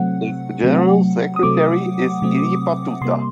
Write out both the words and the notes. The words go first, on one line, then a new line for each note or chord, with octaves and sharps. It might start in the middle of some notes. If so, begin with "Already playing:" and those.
Its general secretary is Illipa Tuta.
Already playing: C3 F#3 A3 C4 F#5
C3 F#3 A3 C4
D#6
C3 F#3 A3 C4 D6
C3 F#3 A3 C4
C3 G3 A#3 C6